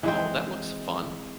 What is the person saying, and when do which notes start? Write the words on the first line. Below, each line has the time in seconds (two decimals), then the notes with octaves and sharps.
"Oh, that looks fun."
0.03 E3 G#3 C4